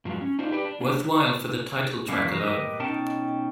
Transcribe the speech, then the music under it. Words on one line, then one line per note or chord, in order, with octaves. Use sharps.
Worthwhile for the title track alone.
G2 F3 F#3 G#3
C#4
D4 D#4 F4 C5
G4 B4 D5
D4
A#3 D4
C#3 G3 A#3 B4
E3 F3 F#4 A#4 C5
G4 A#4 B4 D#5
B2 C#4 D#4 G5 A5